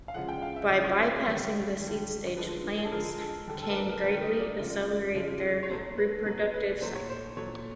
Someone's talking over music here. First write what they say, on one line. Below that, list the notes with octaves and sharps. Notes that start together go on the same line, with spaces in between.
By bypassing the seed stage plants can greatly accelerate their reproductive cycle.
F5
C#3 F3 G#3 F#5
G5
F5
E5
C#3 F3 G#3 D#5
C#5
B4
C5
D3 G3 C#5
D3 G3
D3 F3 G#3 B4
G#4
A4
D3 F3 G#3 A#4
A4
D3 G3 A4
A4
A#4
B4
A#4
D3 G3 B4
D#5
D5
C#3 F3 G#3
C#3 F3 G#3
C#5
B2 F#3 A3 C5
B4
B2 F#3 A3 B4
B4
A#2 F#3 A3 C5
C#5
C5
A#2 F#3 A3 C#5